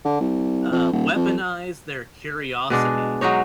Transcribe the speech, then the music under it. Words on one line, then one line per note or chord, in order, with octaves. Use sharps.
uh, "Weaponize their curiosity,"
D3
C2
F2
D#1
F2
B2 G#3 D4
F#3 G#3 D#4 C#5